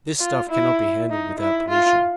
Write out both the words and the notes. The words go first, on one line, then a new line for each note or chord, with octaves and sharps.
This stuff cannot be handled without pollution.
F4
E4
D#4
E4
F4